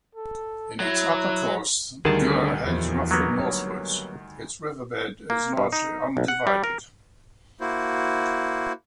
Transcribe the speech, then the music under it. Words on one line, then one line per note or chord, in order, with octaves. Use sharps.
In its upper course the Gur heads roughly northwards its riverbed is largely undivided.
A4
F#3 E4
D2 D3 D#3 G3 G#4 A#4 A5
E2 F3
F#3 A#3 B3
C#5
A#3
G2
D#4
B1
F#5
G3
A#4
A#3 E4 F#4 C5